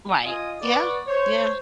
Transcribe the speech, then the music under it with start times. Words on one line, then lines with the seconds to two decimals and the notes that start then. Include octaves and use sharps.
Right. Yeah. Yeah.
0.24 F4 D#5 G#5 D#6
0.61 B3 D5 C#6
1.07 C5 C#5